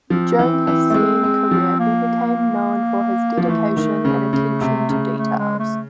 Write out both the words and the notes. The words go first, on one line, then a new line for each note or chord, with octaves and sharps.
During his skiing career he became known for his dedication and attention to details.
F3 C4
E3
E3
A3
G#3
G#3
F3
A#3
F3
A#3
E3 A3
D#3
C#3
C#3
C3
C#3
A3
G#3
A3